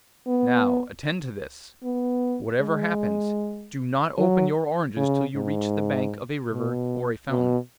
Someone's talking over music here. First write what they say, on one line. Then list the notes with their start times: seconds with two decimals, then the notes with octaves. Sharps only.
'Now, attend to this: whatever happens, do not open your oranges till you reach the bank of a river, or a fountain.
0.27 B3
1.83 B3
2.61 G#3
4.18 F#3
4.96 C#3
5.35 G#2
6.52 B2
7.30 B2